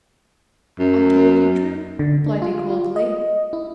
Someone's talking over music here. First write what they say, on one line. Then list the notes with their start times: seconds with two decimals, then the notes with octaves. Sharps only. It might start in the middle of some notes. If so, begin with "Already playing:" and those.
"I told you true," replied he coldly.
0.79 F#2
1.99 D3
2.26 D4
2.42 F4
2.70 F4
2.96 D#5
3.53 E4